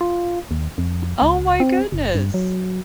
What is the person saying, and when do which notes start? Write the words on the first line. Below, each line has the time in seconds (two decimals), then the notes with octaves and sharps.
Oh, my goodness.
0.01 F4
0.51 D#2
0.78 F2
1.22 C#2
1.60 C4
1.92 F#1
2.15 G2
2.34 F#3